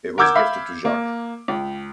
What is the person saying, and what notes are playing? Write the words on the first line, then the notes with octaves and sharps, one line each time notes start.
It was gifted to Jac.
A#4 F#5 D6 E6 G6 G#6
E5 F5 B5
A#3
C#2